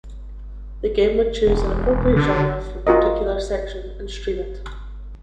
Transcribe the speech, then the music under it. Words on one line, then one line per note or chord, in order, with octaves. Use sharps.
The game would choose an appropriate genre for a particular section, and stream it.
E1
D3
F4 F#4 A#4 D#5